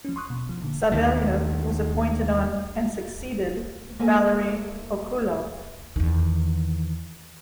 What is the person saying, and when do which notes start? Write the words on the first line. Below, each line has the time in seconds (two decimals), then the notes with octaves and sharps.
Savelyev was appointed on and succeeded Valery Okulov.
0.05 F3 C#4
0.16 C6 C#6 D#6 F#6
0.30 B2
0.49 F3
0.62 A#2 D3
0.92 D#2 D#3 A3
3.99 A#3 C4 A4 A#4 E5 G#5
5.96 E2 D#3